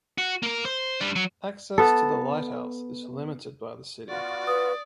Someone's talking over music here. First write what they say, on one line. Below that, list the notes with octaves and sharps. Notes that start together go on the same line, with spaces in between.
Access to the lighthouse is limited by the city.
F#4
A#3 A#4
C5
G3 D4
F#3
B3 A4
B3 F4 F#4 D5
B4 D#6